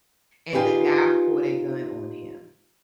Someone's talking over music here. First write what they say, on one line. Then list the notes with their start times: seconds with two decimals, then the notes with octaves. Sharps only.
and the guy pulled a gun on him,
0.53 D#4 F4 G4 G#4 B4 D5